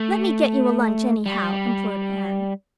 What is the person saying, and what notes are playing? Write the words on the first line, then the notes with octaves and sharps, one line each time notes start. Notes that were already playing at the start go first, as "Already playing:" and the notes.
"Let me get you a lunch anyhow," implored Anne.
Already playing: A3
G3